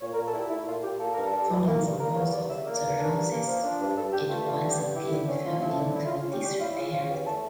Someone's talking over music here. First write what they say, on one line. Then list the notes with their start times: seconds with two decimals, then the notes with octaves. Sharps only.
Following the Wars of the Roses it once again fell into disrepair.
0.01 A#2 C#5
0.13 A#4
0.17 A#2
0.26 A4
0.33 E4 G4
0.50 A3 E4
0.66 A#2 F4
0.83 A#2 G4
0.99 A#3 A4
1.13 G2 A#4
1.25 A4
1.32 G3
1.48 E3
1.66 A#3
1.82 G2
1.98 A#3 A#4
2.15 E2 C#5
2.32 G3 D5
2.48 C#3 E5
2.64 A#3
2.73 D5
2.81 E2
2.97 D4 A#4
3.13 G2
3.31 A#3
3.46 F3
3.63 D4
3.80 G2
3.96 G2 A4
4.12 G2 G4
4.30 A3 F4
4.45 D3 F4
4.62 G2
4.70 G4
4.78 G2
4.94 E4 G4
5.11 D3
5.28 C#4
5.45 F3 F4
5.61 E4
5.68 A4
5.78 D3
5.94 E4
6.06 F4
6.10 C#3
6.19 F4
6.27 C#4 G4
6.43 G3 G4
6.59 E4 F4
6.76 C#3 F4
6.92 C#4 F4
7.09 E2 G4
7.25 A3 A4